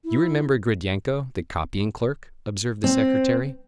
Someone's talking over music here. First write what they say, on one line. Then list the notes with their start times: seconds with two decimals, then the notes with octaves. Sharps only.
"You remember Gridyenko, the copying-clerk," observed the secretary.
0.04 E4
2.84 C4